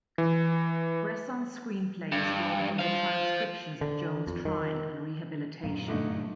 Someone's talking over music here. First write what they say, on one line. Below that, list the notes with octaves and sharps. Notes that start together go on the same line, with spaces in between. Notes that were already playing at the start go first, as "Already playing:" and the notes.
Bresson's screenplay is drawn from the transcriptions of Joan's trial and rehabilitation.
E3
G2
C5 F5
D3
F2
D#3
F#2 A#2 F5 A#5
G2 D3 A3 D#4